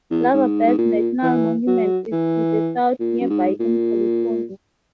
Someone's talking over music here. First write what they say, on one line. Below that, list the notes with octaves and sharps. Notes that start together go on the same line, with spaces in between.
Lava Beds National Monument is to the south, nearby in California.
E2
G#2
G#2
A#2
E3
F#3
E3
A#2
F#2
G#2
A#2